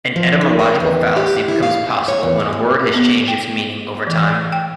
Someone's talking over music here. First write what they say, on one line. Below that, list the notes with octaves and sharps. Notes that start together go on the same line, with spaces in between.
An etymological fallacy becomes possible when a word has changed its meaning over time.
F3
D#3
A#4
E2
G4
E4
F5
C#5
E2
G#3
G#3
B3
G5
E3
G5